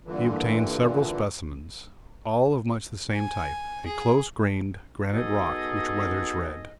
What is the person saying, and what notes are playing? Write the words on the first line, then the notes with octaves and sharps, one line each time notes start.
He obtained several specimens, all of much the same type, a close-grained granite rock which weathers red.
G2 A#2 D3 E3
G#5
G#4
B3 D#4 F#4 G#4 A4 D#5